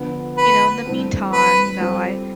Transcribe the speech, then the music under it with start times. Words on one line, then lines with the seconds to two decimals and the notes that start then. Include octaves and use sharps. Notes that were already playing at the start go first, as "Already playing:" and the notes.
you know, in the meantime, you know, I
Already playing: D3 F3 B3
0.37 B4
0.86 G2 E3 A3 C4
1.32 B4
1.80 G3 C4 F4 A4 C5